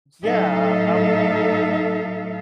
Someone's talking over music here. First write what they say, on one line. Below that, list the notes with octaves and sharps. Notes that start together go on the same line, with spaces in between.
yeah, I'm
A2 F#3 D#4 A4 E5 F5